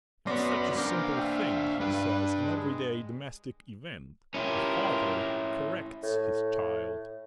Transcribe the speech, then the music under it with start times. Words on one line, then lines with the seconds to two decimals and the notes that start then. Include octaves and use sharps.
'It's such a simple thing,' he says, 'an everyday domestic event. A father corrects his child.
0.27 B3 C#4 F#4 D5 B5 C6 A#6
0.77 D4 A#4 C5 F5 D6 G6 A#6
1.17 E5 G5
1.81 G2 D4 G4 B4
2.42 G#3
4.34 C#4 E4 F4 G4 A#4
6.03 A2